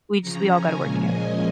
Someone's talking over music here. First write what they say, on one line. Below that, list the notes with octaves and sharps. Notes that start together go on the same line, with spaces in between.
We just we all gotta work together.
C#3 F3 C#4 A#5
G#5
A#2 F3 G#3 C#4 G#5
D#5